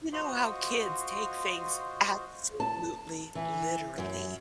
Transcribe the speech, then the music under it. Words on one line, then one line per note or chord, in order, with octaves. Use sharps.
you know how kids take things absolutely literally,
F4 F#4 C5 D#5
A5
E3
F#2